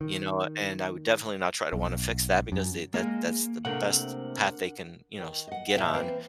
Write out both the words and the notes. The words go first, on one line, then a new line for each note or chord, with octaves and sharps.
you know, and I would definitely not try to wanna fix that because they that that's the best path they can, you know, s get on.
D#3
B1
F#2
G#3 A#3
C3 A3 A#3 D4 A#4 F#5
D#3
D#5 F#5
D2 A#2 F3 E4 E5 G5
E3 A#3 C4